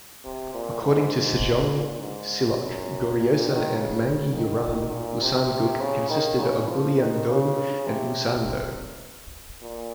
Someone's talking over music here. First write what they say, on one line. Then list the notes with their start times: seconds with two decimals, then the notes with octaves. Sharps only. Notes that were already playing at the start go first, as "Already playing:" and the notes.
According to "Sejong Sillok", "Goryeosa", and "Mangi Yoram", Usan-guk consisted of Ulleung-do and Usan-do.
0.24 C3
0.54 A#2
0.83 G#2
1.71 A#2
2.00 G#2
2.59 F#2
3.18 A#2
3.47 D#3
3.76 C#3
4.35 D#3
4.93 A#2
5.22 C3
5.81 C#3
6.10 D#3
6.40 C#3
6.69 F3
6.98 D#3
7.28 C#3
7.87 C3
9.62 A#2